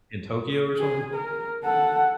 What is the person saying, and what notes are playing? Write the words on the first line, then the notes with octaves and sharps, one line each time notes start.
in Tokyo or something?
G#4
A#4
A4 F#5